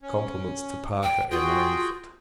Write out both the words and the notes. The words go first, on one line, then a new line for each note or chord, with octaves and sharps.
Compliments to Parker and Langford.
C#4
G5
F4 F#4 G#4 G5